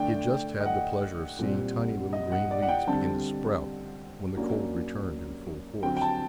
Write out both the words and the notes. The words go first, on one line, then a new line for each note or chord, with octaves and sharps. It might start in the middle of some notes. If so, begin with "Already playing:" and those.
He just had the pleasure of seeing tiny little green leaves begin to sprout, when the cold returned in full force.
Already playing: D3 A3 D4 G5
D#5
F#5
A#2 G3 C4
D#5
F#5
D5
F#5
G5
D3 G3 C4 A5
F#2 F#3 A#3 D4
D3 F#3 C4 G5
G5
A5